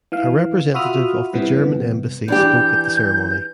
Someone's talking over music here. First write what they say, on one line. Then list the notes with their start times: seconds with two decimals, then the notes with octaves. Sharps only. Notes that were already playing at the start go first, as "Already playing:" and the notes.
A representative of the German embassy spoke at the ceremony.
0.12 E3 F5
0.74 F4 F#4 E5 B5 D#6 F6
1.33 G2 C3 E3 B3
2.28 E3 D4 G4 G6